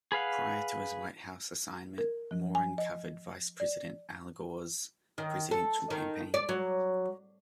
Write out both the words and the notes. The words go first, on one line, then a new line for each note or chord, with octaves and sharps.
Prior to his White House assignment, Moran covered Vice President Al Gore's presidential campaign.
G#4 B4 F5 F#5
A#4
F3
G#5
D#5
D5
D#3
A4
D#3
D5
F#3